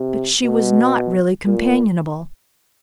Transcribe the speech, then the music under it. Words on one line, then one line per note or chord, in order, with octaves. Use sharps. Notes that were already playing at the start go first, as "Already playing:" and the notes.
But she was not really companionable.
Already playing: C3
B2
A#2